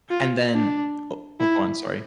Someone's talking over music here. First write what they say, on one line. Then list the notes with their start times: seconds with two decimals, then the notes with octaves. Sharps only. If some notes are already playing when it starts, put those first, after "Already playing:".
And then, o oh, go on, sorry.
0.11 F4
0.54 D4
1.40 E4